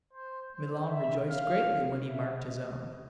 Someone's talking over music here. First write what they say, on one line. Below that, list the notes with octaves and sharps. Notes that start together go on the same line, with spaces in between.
Milon rejoiced greatly when he marked his own.
C5
C5
E5
F5
E5
D#5